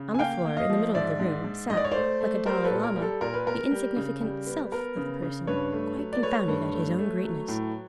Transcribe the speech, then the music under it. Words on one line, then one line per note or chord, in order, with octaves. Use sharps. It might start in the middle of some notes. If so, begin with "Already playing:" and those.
On the floor, in the middle of the room, sat, like a Dalai-Lama, the insignificant "Self" of the person, quite confounded at his own greatness.
Already playing: C#3
G#5
A#3 F5 G5
A#3
D#5 F5
F3
G#2 D5 E5
G#2
G#2
G#2 D#5
D5
C#5
A3 C5 D5
A3
G3 A#4 C5
A4 B4
A#2
A#4
G3
A4
A#2 A#4
B4
B3 A#4
G3
C#3
G3
B3
B3 A#4
C#3
C#3
G2 B4 C#5
A3
F#3
D5
A3 B4 C#5
G2
A3
A3
F#3
A2